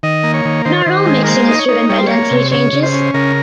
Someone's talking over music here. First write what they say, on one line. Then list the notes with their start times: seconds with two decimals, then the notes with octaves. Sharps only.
Not all mixing is driven by density changes.
0.03 D#3 D#5
0.23 A#3
0.34 C#5
0.45 D#3
0.65 D#3 C5
0.74 C#5
0.82 D#3 C5
1.06 G#3
1.24 A#4
1.28 A#3 C5
1.48 D#4 D#5
1.59 C#5
1.69 D#4
1.89 G3 C#5
1.98 C5
2.07 A#3 C#5
2.31 C3
2.52 C#3 C#5
2.73 C#3
2.83 C5
2.93 C#4
3.14 C#3 A#4